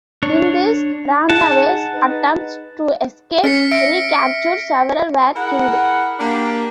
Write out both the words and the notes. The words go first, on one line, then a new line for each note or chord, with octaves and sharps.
In these runaways' attempts to escape recapture, several were killed.
D4 C#5
D#4 G#4 F#5 A5
D#4 B4
C#4 F6 B6 C#7
E5 A#6 D7
E4 G#4 A#4 F#5
A#3 D4 G4